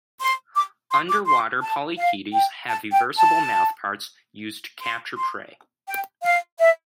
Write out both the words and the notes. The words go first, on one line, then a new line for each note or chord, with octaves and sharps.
Underwater polychaetes have eversible mouthparts used to capture prey.
C6
D6
C6
D6
C6
A5
F5
G5
A5
G5
A5
C6
C6
G5
F5
E5